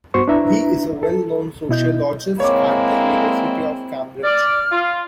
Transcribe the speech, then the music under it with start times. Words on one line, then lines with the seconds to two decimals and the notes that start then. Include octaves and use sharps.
He is a well-known sociologist at the University of Cambridge.
0.14 G2 B3 F#4 C5 C#6
0.28 D4 E4 B4 E5 A#5
1.03 A4
1.69 B2 E4 D#5 G6
2.40 G#3 A#3 C4 E4 C#5 D6
4.24 D5 F6
4.71 F4